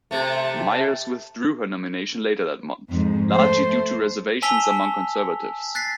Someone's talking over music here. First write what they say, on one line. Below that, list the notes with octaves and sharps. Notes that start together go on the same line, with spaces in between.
Miers withdrew her nomination later that month, largely due to reservations among conservatives.
C3 A3
F2 G#2 F3
A3 C5
G#5 A5 E6 B6 F7 G7
F#6 A6 B6 C7